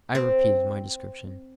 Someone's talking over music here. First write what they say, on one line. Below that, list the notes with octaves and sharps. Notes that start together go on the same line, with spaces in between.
I repeated my description.
C4